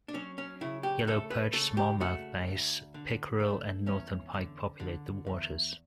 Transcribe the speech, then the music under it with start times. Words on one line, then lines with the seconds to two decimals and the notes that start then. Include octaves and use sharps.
Yellow perch, smallmouth bass, pickerel, and Northern pike populate the waters.
0.08 D4
0.14 F#3 C#4
0.38 C#4
0.61 C#3 E4
0.83 G4
1.07 A3 A4
1.30 B4
1.53 C#3 A4
1.77 G4
2.00 A3 F#4
2.47 D2
2.94 D3
3.40 A3
3.86 E2 C#4
4.34 D3
4.80 D3
5.26 E2